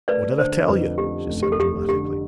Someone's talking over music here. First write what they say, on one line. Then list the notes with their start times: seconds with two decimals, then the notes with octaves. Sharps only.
"What did I tell you?" she said dramatically.
0.08 A3 B4 D5
0.38 D3 C5
0.68 F2 B4
0.98 A3 G4
1.28 F1
1.43 G4
1.52 A4
1.58 F1 G4
1.88 D3 G4